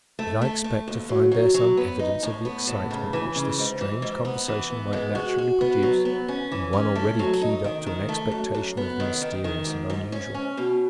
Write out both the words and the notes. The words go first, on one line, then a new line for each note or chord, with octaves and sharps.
Did I expect to find there some evidence of the excitement which this strange conversation might naturally produce in one already keyed up to an expectation of the mysterious and unusual?
A3
A3
A3
D#2
F#3
F#3
F#3
B3
D#4
A2
B3
A2
C#3
E3
C#3
G#2
E3
G#2
B3
E3
B3
G#3
F#4
F#4
B3
F#3
B3
C#4
E3
C#4
A3
F#3
D#4
D#3
D#3
A3
F#2
F#2
B3
D#3
D#3
D#3
G#2
G#2
C#4
C#4
B2